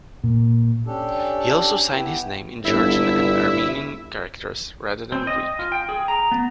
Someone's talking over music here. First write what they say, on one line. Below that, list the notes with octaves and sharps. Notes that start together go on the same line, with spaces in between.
He also signed his name in Georgian and Armenian characters rather than Greek.
A#2
C#4 D4 G4 A4
B3 E4 G4
G1 E4
C4
D#5
F4
G5
G#4
A#5
B3